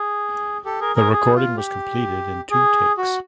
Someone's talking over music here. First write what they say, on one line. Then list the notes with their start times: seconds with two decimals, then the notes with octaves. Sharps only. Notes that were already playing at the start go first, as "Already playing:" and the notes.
The recording was completed in two takes.
Already playing: G#4
0.65 G4 A4
0.80 G#4 A#4
0.95 G#4 A#4
1.12 G#4
1.35 F4
1.57 G4
2.50 G#4
2.98 F#4